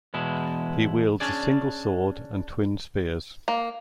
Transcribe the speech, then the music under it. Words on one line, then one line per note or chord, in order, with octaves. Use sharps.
He wields a single sword and twin spears.
E2 B2 G#3 E4
C#4 D4 G#4 D5
A#3